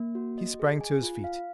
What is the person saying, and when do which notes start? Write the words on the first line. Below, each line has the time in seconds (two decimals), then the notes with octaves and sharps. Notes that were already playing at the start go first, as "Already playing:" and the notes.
He sprang to his feet.
Already playing: A#3
0.15 F#4
0.38 D#5
0.60 G#4
0.81 G#5
1.03 F4
1.24 F5